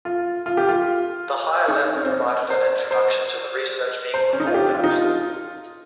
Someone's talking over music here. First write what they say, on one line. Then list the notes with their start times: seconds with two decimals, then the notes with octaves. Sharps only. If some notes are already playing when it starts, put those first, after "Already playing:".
The higher level provided an introduction to the research being performed at the school.
0.05 F4
0.46 F4
0.57 G4
0.69 F4
1.68 D#4
1.96 C#4
2.03 C4
2.10 C#4
2.50 C5
2.91 C5
4.14 C5
4.33 C#4
4.40 D#4
4.47 F4
4.54 G4
4.75 F4
4.84 D#4
4.92 F4